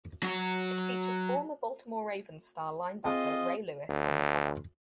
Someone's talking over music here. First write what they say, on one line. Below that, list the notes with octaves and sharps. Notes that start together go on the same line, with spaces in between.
It features former Baltimore Ravens star linebacker Ray Lewis on the cover.
F#3 F#4
C4 F4 G#4 D#5
D2